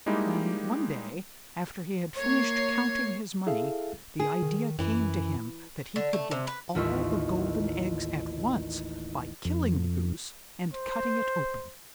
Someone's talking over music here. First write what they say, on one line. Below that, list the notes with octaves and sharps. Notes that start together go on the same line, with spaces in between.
Then one day, after he had finished counting his money, the idea came to him that he could get all the golden eggs at once by killing the Goose and cutting it open.
G3 G#3 A#3 D#4 E4 G4
A#3 C#5 G#6 C7
E4 G#4 A4 E5 F5
G#4
D#3
F#2 E3
D3
A3
C3
B4
A1 D#2 F4 E5 C#6
F2
C5